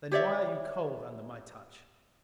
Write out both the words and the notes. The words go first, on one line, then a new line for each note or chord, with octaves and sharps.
Then why are you cold under my touch?
G4 C#5 D5 E5